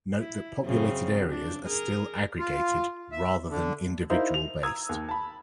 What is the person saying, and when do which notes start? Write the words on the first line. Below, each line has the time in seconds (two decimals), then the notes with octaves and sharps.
Note that populated areas are still aggregated rather than individual based.
0.19 E4
0.65 F#2 C#3 C4
1.30 D4
1.66 G#4 A#4
2.39 F4
3.12 E5
3.50 D3
4.10 D#4 E4 A#4 C5 F5
4.34 F7
4.63 A#5 D#6 E6 G#6
4.89 D#2
5.09 A5 B5